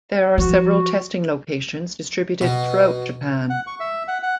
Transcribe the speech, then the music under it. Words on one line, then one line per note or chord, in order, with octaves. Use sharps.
There are several testing locations distributed throughout Japan.
F3 F#4
B2
F#5
C#6
E5
F#5
F#5